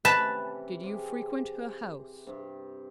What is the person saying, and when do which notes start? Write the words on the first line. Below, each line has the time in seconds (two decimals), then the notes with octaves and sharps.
"Did you frequent her house?"
0.05 C3 E3 C#4 B4 A5
0.83 C3 G4 G#4
2.27 G2 C3